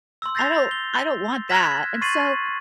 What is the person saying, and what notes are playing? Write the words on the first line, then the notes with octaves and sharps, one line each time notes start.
I don't I don't want that," and so
C6 E6
G6 A6 A#6 C7 F7
G7
F6 F#6 G#6 A#6 B6 E7
C6 C#6 A6 C7 D#7 F#7